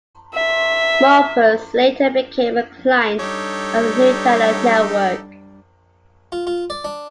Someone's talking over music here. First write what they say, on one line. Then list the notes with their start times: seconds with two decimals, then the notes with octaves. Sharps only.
Morpheus later became a client of the gnutella network.
0.35 E5
3.19 G3 D4 D#4 G4 A4 C#5
6.32 F4
6.47 F4
6.70 D5
6.85 D4